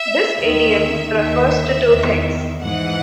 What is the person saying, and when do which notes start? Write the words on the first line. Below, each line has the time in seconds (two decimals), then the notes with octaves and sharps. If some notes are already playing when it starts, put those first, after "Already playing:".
This idiom refers to two things.
Already playing: E5
0.39 D#2 D#3 E5
1.13 D#2 D#3 E5
1.88 E2 D#3
2.62 G#2 E3 F#5